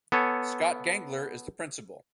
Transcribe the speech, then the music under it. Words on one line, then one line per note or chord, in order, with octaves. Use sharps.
Scott Gengler is the Prinicpal.
B3 A4 C#5 G#5